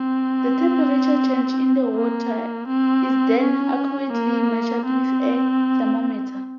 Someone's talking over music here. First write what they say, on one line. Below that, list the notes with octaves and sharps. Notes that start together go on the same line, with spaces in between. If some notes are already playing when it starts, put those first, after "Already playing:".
The temperature change in the water is then accurately measured with a thermometer.
Already playing: C4
A#3
C4
C#4
A#3
C4